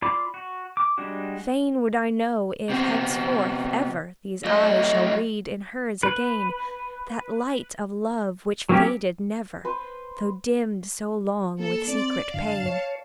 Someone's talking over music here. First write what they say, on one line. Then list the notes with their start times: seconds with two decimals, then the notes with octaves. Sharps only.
Fain would I know if, henceforth, ever, These eyes shall read in hers again, That light of love which faded never, Though dimmed so long with secret pain.
0.02 F4 D5 B5 C6 D6
0.34 F#4
0.77 D6
0.98 G3 G#3 D4 F#4
2.69 C3 B3 C4
4.45 F#3 A3 D#5
6.03 B4
8.69 F#3 A#3 C4 C#4 G4
9.65 B4 C5
11.60 A#3 A4
11.88 C4 D5
12.34 F#2 D3 F5 A5
12.66 C#5